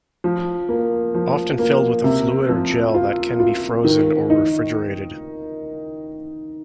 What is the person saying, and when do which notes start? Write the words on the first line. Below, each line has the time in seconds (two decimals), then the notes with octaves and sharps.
Often filled with a fluid or gel that can be frozen or refrigerated.
0.24 F3
0.69 A#3
1.15 F3
1.59 A#3
2.04 C3
2.49 F3
2.94 F4
3.40 F4
3.84 D#3
4.30 D#4